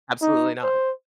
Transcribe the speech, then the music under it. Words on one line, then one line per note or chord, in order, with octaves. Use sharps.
Absolutely not.
D#4
C5